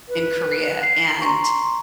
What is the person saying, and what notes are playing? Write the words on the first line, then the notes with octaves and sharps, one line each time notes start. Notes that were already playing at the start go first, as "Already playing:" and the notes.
in Korea. And
B4
C7
A#5 C6 C#6